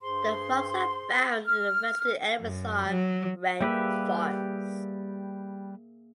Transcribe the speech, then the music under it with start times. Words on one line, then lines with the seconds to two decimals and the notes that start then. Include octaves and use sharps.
The frogs are found in the western Amazon rainforest.
0.01 G2 G#4 C5 C6
1.47 F6
2.40 F#2
2.89 F#3
3.61 G3 A#3 G4 G#4 B4 E5